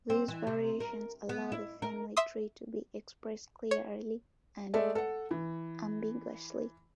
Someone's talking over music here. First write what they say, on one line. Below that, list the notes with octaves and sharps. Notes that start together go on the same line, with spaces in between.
These variations allow the family tree to be expressed clearly and unambiguously.
C4
E3
C3
A#4
B3
E4
A#4
E5 C6 D#6
C#5
G#3 A3 A4 D5 E5
A4 F#5
E3